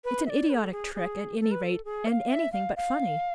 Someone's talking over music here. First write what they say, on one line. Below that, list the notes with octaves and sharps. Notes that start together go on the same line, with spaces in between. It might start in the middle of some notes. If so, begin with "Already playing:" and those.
It's an idiotic trick, at any rate, and anything but funny.
B4
E5
D5
B4
A4
G#4
G#4
A4
B4
A4
G#4
F5
E5
F5
F5